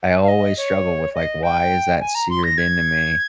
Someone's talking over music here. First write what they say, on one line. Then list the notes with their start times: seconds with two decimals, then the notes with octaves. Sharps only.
I I always struggle with, like, "why is that seared into me?"
0.23 F5
0.28 D#5
0.57 C#5
1.14 D#5
1.43 G5
2.01 G#5
2.15 A#5
2.30 C6
2.44 A#6
2.58 G#6